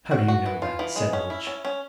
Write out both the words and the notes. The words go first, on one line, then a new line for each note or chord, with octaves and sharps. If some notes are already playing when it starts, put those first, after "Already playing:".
"How do you know that?" said Much.
F#4
F#4
E3
F4
E3
G#3
C#4
E4
C#4
C#4